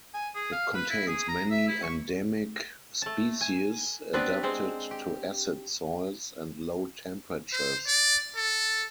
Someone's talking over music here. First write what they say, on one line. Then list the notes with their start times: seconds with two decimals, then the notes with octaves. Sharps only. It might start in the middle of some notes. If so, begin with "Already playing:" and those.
It contains many endemic species adapted to acid soils and low temperatures.
0.14 G#5
0.35 G#4
0.52 F5
0.74 B4
0.90 E4
1.07 G#4
1.29 A#5
1.51 E5
1.68 E4
1.83 C#6
3.02 A3 A5
3.41 G#5
4.14 B3 C4 D4 G4 B4
4.43 G#3 C4 C5
4.91 G4
7.53 C5
7.87 D5
8.36 A4